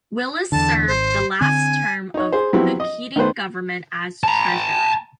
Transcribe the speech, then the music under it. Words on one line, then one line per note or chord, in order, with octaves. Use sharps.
Willis served the last term of the Keating government as Treasurer.
E2 D3 A5
G#1 C5
D3 C4 G#5
D#4 C#5
G#4 C5
F3 F#3 B3 C4 E4 G4
D#5
D#3 A3 B3 B4 C5
A5 A#5